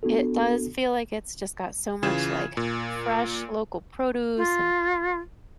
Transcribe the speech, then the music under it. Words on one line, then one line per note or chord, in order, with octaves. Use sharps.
it does feel like it's just got so much, like, fresh local produce and
B3 D4 F#4 A4
C#3 E3 F4 G#6 E7
A#2
F4